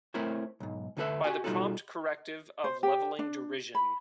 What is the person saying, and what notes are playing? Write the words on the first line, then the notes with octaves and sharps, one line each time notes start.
By the prompt corrective of levelling derision.
A3 C4 E4 A#4 C5 C#5
B1 G#2
D2 D3 D#4 A4 B4 E5
F#4 G4 G#5
B2 G3 D#4 F4 F#4 A4
C5
G4
D4
B5